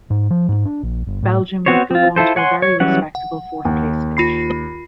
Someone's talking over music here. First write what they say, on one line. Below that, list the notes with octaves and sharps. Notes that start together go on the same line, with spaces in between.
Belgium would go on to a very respectable fourth-place finish.
G#2
F3
G#2
D4
A#1
G1
A2
B3 C4 F#4 C5 C#5
C4 F4
E4 F4 A4 C5
C#5 F#5 G#5 C6
C#5
E3 F#3 G3 C#4 F#5
F#5
D#2
F4 B5 C7